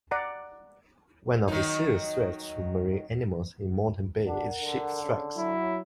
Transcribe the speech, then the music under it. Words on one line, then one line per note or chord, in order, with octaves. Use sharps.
One of serious threats to marine animals in Moreton Bay is ship-strikes.
D5 F#5 A#5
D#3 F#3 D#4
D4 A#4 F#5
D3
C#3
F#3 E4